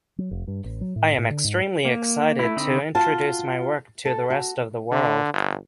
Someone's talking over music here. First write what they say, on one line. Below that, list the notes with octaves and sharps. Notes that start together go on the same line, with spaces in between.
I am extremely excited to introduce my work to the rest of the world.
F#3
F1
G2
A1
F#3
A2
A2
D3
G#2
A#3
A3 E4
D3 C4 D#4 B5 E6
F4 F#4 A5
A4
F#4
D3
G1